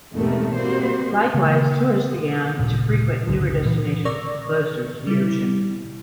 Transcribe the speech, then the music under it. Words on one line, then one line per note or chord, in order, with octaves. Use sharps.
Likewise, tourists began to frequent newer destinations closer to the ocean.
B1 E2 G#2 C3 D#3 A3
G3 A#3 C4 F#4 C5
C#3 G#3 A#3
G#1 D#2 A#2 C#3
G1 C#2 D3
A#2 E3
A#4 D5 C#6 D6 E6 A#6
G3 E4